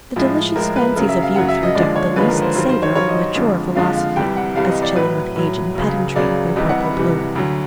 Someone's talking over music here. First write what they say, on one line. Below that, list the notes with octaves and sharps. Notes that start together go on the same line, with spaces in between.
The delicious fancies of youth reject the least savor of a mature philosophy, as chilling with age and pedantry their purple bloom.
A2 F3 G#3
A2 F3 G#3 A#4
B4
F#2 C#3 F#3 A#4
E5
F5
F#2 C#3 F#3 F#5
E5
D#5
D#2 D3 F3 G#3 D5
C#5
D#2 D3 F3 G#3 B4
A#4
B4
C5
G2 D#3 F#3 C5
C5
C#5
G2 D#3 F#3 C#5
D#5
F2 D3 F3 G#3
F2 D3 F3 G#3 F5
F5
C2 C3 E3 G3 G5
F#5
C2 C3 E3 G3 F5
D#5
D5
A2 F#3 B4
A2 F#3
C#2 C#3 F#3
C#2 C#3 F#3 D5
C2 C3 E3 G3 D#5
F#5
B5
C2 C3 E3 G3
D2 D3 F#3